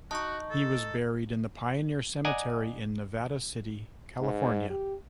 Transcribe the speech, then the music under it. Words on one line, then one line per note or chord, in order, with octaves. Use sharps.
He was buried in the Pioneer Cemetery in Nevada City, California.
D#4 F#4 A5 C#6
A4
D5 D#5 F#5 G#5 A#5
G#2
G4